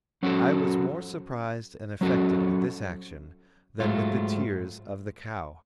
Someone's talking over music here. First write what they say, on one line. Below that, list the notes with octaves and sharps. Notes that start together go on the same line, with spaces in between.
I was more surprised and affected with this action, than with the tears of the cow.
F#3 C#4 F#4 A4
F#3 C#4 F#4 A4
G#2 F#3 A3 F4